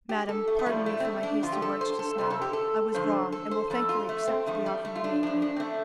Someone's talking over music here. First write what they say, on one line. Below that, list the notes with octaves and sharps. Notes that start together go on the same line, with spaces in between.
'Madam, pardon me for my hasty words just now; I was wrong, and will thankfully accept the offer you made me.'
G4
A4
A3
A3
A2 F3 G3
A3
C4
A3
D4
G2 D3 F3 F4
G4
A4
C5
A4
F2 C3 F3 C5
A4
G4
A4
G2 D3 F3 C5
A4
C5
F2 F3 A4
F4
A3
C4
G2 F3 A3
G3
A3
F4
D4
G2 F3 D4
D4
C4
A3